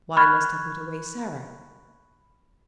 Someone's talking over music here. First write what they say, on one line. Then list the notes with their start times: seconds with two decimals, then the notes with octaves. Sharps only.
"Why must I put away Sarah?"
0.17 B5 C#6 F6 F#6 G#6 A6